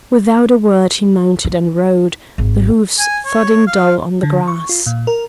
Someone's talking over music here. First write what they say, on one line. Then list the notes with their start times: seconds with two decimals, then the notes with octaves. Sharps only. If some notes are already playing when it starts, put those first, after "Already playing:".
Without a word he mounted and rode, the hoofs thudding dull on the grass.
1.45 D#4
2.38 G#1
2.99 G#5
3.26 C#5
3.67 F5
4.23 D3
4.48 C#6
4.69 F4
4.86 A#2
5.07 A#4